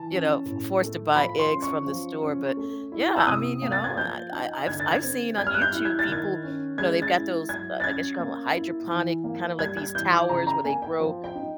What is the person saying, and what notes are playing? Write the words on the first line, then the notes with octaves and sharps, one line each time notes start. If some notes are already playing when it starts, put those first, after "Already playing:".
you know, f forced to buy eggs from the store, but yeah, I mean, you know, I I I've s I've seen on YouTube people, you know, they've got those, uh, I guess you call them hydroponic, kind of like these towers where they grow,
Already playing: E3 A5
C#4
A2
A3
F3 B5
C6
C#4
C#6
F3
C#4
A3
E4
E6
C3 D#6
A#3
A6
G#6
F3 G6
D#4
D3 G#6
A6
G#6
C4
G3 G#6
F6
F#6
G6
E4
G#6
A6
D#3 G#6
C#4
G#3 G#6
A6
E4
F#3 G#6
A6
C#4 G#6
A#3
E4
E3
A#3
G3 G#6
G#6
E3 G6
D6
C#3 A#5
A#5
A#3 G#5
G5
F3
G5
D#4